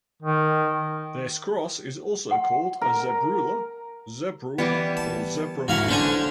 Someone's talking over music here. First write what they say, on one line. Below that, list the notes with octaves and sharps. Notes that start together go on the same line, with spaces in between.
This cross is also called a zebrula, zebrule, or zebra mule.
D#3
F#5 C6
A#4
E3 G3 B3
A5
G#2 E4 F#4 F5 F#5
D3 C#4 D4 A4 C5 G#5